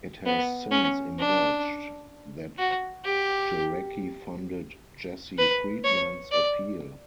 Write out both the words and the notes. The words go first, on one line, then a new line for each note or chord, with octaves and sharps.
It has since emerged that Jarecki funded Jesse Friedman's appeal.
B3
C#4
D4
F#4
G4
B4
C#5
D5